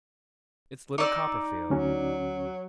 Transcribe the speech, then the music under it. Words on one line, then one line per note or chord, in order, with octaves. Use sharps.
'It's little Copperfield!'
D#4 D5 D6 E6
D2 F#3 C#4 F#4